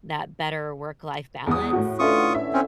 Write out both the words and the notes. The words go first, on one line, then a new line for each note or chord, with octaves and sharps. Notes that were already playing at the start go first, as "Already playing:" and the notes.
that better work-life balance.
E2 D#6
A2 F#4
D3 E3 C#4 F4 C#6 D#6
E5
C4 C#4